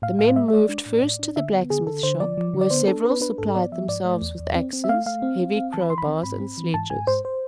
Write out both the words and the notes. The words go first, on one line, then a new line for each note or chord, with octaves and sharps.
The men moved first to the blacksmith shop, where several supplied themselves with axes, heavy crow-bars and sledges.
A2 F5
A2 F5
G#3 E5
E5
G#3 D5
D4
A2
A2
D4
D3 E5
B3
D3 G#4
D3 A4
D3 C5
F3 D5
F3
D3
D5
B3 C5
D4 A4
B3 B4
D4 B4
G#2 A4
B3 D5
F3 E5
G#2 D5
A3
E2
E2
C4
C4
E5
A3 F5
A3 F5
C4
C4
C4
E3 A5
B5
E3 C6
B5
C4
G#2 B5
C4
E3
G#2 A5
G#2 G#5
G#2 C5
C5